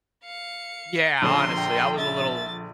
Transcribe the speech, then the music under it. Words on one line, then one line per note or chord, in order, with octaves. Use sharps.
Yeah, honestly, I was a little
F5 C#7
A#1 D3 C#4 A#5 C6
G5
E5 A6